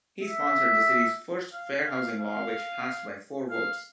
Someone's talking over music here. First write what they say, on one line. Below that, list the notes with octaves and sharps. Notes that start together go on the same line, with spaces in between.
He sponsored the city's first fair housing law, which passed by four votes.
E5
F5
F5
F5
F5